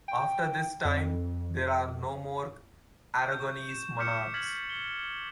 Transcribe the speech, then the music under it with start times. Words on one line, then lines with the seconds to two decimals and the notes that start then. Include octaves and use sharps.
After this time, there are no more Aragonese monarchs.
0.08 G5
0.85 F2
3.22 G6
3.40 C#6
3.69 E7
3.98 D6 F6 G6 B6 C#7 E7
4.34 F6 G#6 A6 B6 F#7
4.69 G7